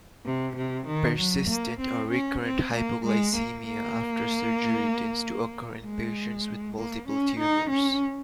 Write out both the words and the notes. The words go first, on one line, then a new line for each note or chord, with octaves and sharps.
Persistent or recurrent hypoglycemia after surgery tends to occur in patients with multiple tumours.
C3
C3
D#3
F#3
A#3
C4
C#4
C4
A#3
G#3
A#3
A#3
G#3
A#3
C#4
D#4
C#4